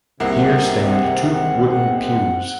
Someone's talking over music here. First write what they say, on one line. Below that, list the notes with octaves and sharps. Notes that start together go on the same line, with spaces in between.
Here stand two wooden pews.
C2 C3 D#3 G#3 A#3 C4 E4 F#5